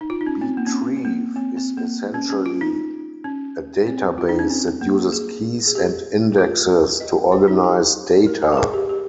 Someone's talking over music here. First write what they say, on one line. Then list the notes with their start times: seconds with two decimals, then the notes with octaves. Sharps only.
Btrieve is essentially a database that uses keys and indexes to organise data.
0.01 D#4
0.10 F4
0.21 D#4
0.26 C#4
0.41 C4
0.57 A#3
0.67 C#4
0.73 C4
0.97 C4
1.05 A#3
1.36 C4
1.57 C4
1.78 A#3
2.14 C#4
2.30 C#4
2.46 F4
2.61 D#4
3.24 C#4
3.87 C4
4.18 F4
4.29 D#4
4.39 C#4
4.50 C4
4.81 A#3
5.12 G#4
5.67 G#4
5.75 G4
6.38 F4
7.00 D#5
7.32 C5
7.48 D#4
7.64 G4
8.27 A#4
8.42 A#4
8.52 A#4
8.57 G#4
8.74 G4
8.89 G4